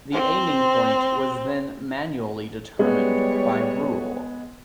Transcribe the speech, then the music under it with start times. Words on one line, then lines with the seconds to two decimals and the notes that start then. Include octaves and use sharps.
The aiming point was then manually determined by rule.
0.12 C4 C5
2.79 G3 G#3 B3 C#5